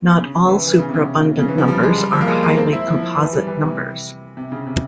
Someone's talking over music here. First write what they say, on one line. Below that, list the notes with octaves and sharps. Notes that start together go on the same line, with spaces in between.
Not all superabundant numbers are highly composite numbers.
C#3
E3
E3
C#3
C3
C#3
C#3
E3
F3
G3
G#3
G3
F3
A#3
G#3
A#3
C4
E4
F3
E3
G3
E3
C3
C3
C#3
C3